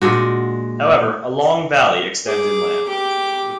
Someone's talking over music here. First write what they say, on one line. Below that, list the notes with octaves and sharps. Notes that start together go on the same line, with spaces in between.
However, a long valley extends inland.
A#2 G#3 D4 F#4
G#4 D6
G4 D6